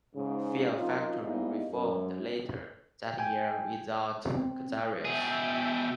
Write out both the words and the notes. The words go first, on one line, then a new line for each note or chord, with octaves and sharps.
Fear Factory reformed later that year without Cazares.
G#2 C#3
F#2 C4 D#4 F4
G#2 G3 A#3 B3 E4 D#5
F#2
G5 G#5
C4
B2 G#4 E5 G5